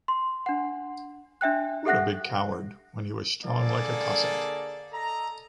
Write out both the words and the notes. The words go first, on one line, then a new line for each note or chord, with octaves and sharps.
What a big coward, when he was strong like a Cossack!
C6
D4 F#5
D4 E5 G5 F#6
G4 A4 E5 F#5 F#6 A#6
D3 A#3 G#4 A4 D5
A4 D#5 A#5